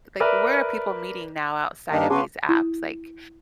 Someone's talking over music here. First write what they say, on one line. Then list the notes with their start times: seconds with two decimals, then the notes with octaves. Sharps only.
like, where are people meeting now outside of these apps? Like,
0.20 A#4 B4 D5 E5
1.91 G2 D#3 A#3 D4 D#4 G4 A#4
2.10 C#3 B3 C#4 F#4 G#4 B4 A5 C6
2.49 E4